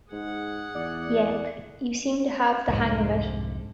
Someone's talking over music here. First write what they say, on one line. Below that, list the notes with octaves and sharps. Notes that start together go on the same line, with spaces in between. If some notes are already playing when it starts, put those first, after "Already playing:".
Yep, you seem to have the hang of it.
G#2 G#4 F#5
E2 D5
C2 F2 G#2 D3